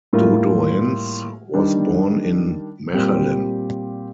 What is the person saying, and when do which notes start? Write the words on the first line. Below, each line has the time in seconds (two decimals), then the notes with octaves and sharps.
Dodoens was born in Mechelen.
0.13 A2 G3 A#3 F4
1.54 D#3 G3 D4
2.94 A#2 G3 C4 G4